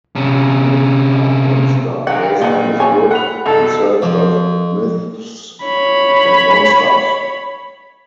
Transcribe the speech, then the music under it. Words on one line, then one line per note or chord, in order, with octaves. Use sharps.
Myth or Monster," based on his book "In Search of Myths and Monsters.
C3 C#4
G2 D#3 F#3 F#5
A#2 D#5 F#5
F3 C#5 G#5
F#5 B5 F7
C2 B2 D#4 F#4 A4
F2
C#5 B5